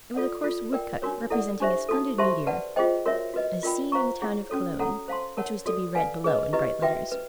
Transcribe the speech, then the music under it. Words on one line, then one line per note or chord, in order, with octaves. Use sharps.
It was a coarse wood-cut, representing a splendid meteor "as seen in the town of Cologne," which was to be read below in bright letters.
F4 A4 D5 F#5
F4 A4 D5
A#4 D5 G5
D4 F#4 A#4 C#5
E4 A4 D5 F#5
D4 G4 C5 E5
D#4 F#4 A4
G4 C5 E5 A5 C6
B4 D5 F#5 A5
F4 G#4 C5 D#5 G5
F#4 A#4 C#5 E5
F#4 B4 D#5
F4 A#4 D5 G5 B5
C5 F5 A#5 C#6
E4 G#4 C#5 F#5
C#4 F#4 A4 C#5
F#4 A4 C#5 F#5 A#5
C5 F5 A5 C6
A#4 C#5 F#5 A5
F#4 A4 D5
B4 D5 F5 G#5
G#4 B4 D#5
E4 G4 B4 D#5
F#4 B4 E5 G5
B4